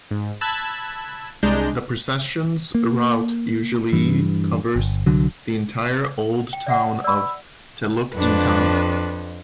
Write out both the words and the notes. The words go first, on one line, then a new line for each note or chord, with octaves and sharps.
The procession's route usually covers the entire old town of Teluk Intan.
G#2
A5 B5 E6 F#6 G#6
C2 G#3 D4 A#5 G6
A#3
G2 E3
G1
C2 D3 F#3
G5
D5 E5 F#5
D5 B5 E6
F2 D4 B4